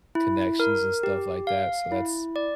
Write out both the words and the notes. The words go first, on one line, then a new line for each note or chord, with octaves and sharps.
connections and stuff like that. So, that's
E4
A#4
G4
F5
E4
D5